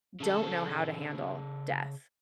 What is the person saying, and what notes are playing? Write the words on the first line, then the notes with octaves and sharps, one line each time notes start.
don't know how to handle death
C#3 A4